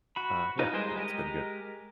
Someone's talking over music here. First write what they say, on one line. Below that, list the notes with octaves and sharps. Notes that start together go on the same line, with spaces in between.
uh, yeah, yeah, it's been good.
F#4 B5
D#4 F4 G4 B4 D#5
G3 G#3 G#4 A#4 C5
G#3 G4 A#4 D#5